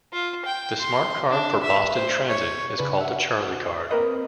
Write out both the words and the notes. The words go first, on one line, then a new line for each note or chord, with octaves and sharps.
The smart card for Boston transit is called a "CharlieCard".
F4
G5
C6
D4
E5
C5
C#5
C#3 D4 B4
E5 F#5
A#3 C4 A#4 B4 D#5